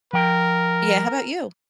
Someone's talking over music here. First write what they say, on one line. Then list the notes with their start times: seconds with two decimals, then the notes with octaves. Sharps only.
Yeah, how 'bout you?
0.13 F3 A#4 G5